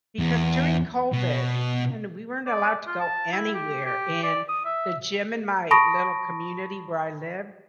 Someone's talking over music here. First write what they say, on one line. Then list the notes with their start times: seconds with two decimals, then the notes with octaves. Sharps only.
because during COVID, you know, we weren't allowed to go anywhere, and the gym in my little community where I lived,
0.19 E2
1.12 B2
2.46 D5
2.87 F4
3.00 A5
3.33 E4
3.54 G4
3.85 G4
4.23 D5
4.49 D#6
4.66 E5
5.71 A5 B5 C#6 D#6 A#6 D7